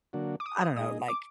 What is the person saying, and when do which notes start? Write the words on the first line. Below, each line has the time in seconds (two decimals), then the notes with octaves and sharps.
I don't know, like,
0.13 D3 F#3 A#3 D4 F#4
0.40 D6
0.46 D#6
0.61 D#6
0.76 A#2 G#3 D#4 G#4 D#5 D#6
1.08 D6